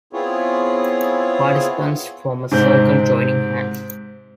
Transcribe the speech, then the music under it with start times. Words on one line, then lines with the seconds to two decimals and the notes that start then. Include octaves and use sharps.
Participants form a circle, joining hands.
0.13 B3 C4 E4 F4 G#4 C#5
2.51 G#2 C3 C4 G6